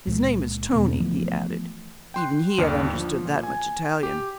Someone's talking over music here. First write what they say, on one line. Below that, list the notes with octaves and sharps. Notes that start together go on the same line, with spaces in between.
'His name is Tony,' he added--even he had understood that much Italian.
C#2 A#2 G#3 A#3
E2 B2 A3 B3
E3 F3 A3 B3
G5 C6 F#6
G1 D#2 D4 A5 F6 C#7
F3
A#2
G#5
G4